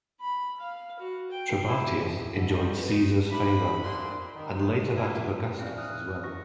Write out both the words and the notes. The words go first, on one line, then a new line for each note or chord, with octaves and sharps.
Trebatius enjoyed Caesar's favor, and later that of Augustus as well.
B5
F5
F#4
G5
E4
D3
G3
B4
D#4
D4 E4 G4 B5
A#2 C4 F#4 A#4 D5 C6
D#3
A#3 E4 F4
C4 C#4 E4 D5 F5
D#6 F6 F#6
C#6 A#6